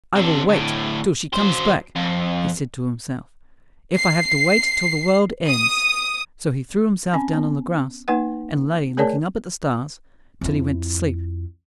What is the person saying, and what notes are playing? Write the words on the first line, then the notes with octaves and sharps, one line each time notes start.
"I will wait till she comes back," he said to himself, "if I have to wait till the world ends." So he threw himself down on the grass and lay looking up at the stars till he went to sleep.
C3 D4
D2 A2
F#3 C5
F2
C7
D#6
C4 C#4 G#5
B3
A#3 D#4 B4 F#5
A3 G#4 A#4 C#5 D5 A5
F2 E4